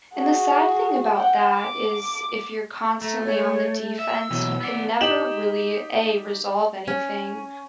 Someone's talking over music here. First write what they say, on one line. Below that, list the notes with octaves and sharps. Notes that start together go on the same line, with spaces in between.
and the sad thing about that is if you're constantly on the defense, you can never really, A, resolve anything,
F#4 G#4
F#5 G5
D6
A3 A#5
C#5
E5 E6
B2 E3 F#3
B3 D5
D#4 G4 E7 F#7
C#4